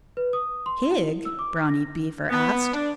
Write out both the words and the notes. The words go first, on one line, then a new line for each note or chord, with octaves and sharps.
"Pig?" Brownie Beaver asked.
B4
D#6
C6
E4
E6
D6
A#6
B3
D4